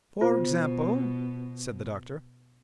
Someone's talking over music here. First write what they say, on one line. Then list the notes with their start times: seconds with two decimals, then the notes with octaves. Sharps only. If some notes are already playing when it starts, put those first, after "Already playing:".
"For example?" said the Doctor.
0.21 B2 F4 C5